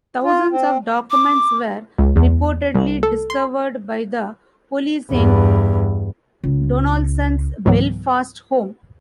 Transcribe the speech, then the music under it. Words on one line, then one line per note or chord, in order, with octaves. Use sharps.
Thousands of documents were reportedly discovered by the police in Donaldson's Belfast home.
F4
C4
D6
C#2
E2
C2
A4
C6
E2 G2
C#2
C#2 G#2 D3 E3 F#3 B3